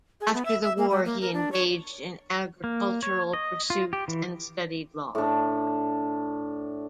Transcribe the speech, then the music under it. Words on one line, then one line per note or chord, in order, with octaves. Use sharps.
After the war, he engaged in agricultural pursuits and studied law.
G#4
B3
E5
E5
A#3
G3
A#3
A#4
D4
C#5
A#3
C#5
D#5
F4
G4
E3
A2 D4